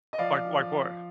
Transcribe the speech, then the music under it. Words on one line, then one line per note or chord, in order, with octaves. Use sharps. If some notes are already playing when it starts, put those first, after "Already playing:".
like like what?
D#5
F3 D5 F5
F3